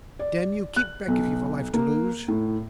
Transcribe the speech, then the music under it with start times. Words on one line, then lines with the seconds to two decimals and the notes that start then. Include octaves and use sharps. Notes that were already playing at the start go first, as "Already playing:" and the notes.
Damn you, keep back, if you've a life to lose!'
0.19 D5
0.76 F#6
1.08 B1
1.74 A#3
2.28 A2